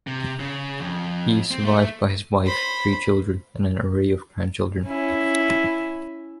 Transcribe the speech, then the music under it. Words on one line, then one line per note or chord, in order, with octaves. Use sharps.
He is survived by his wife, three children and an array of grandchildren.
C3
C#3
F2
C4
A3
C5 B5
C#4 E4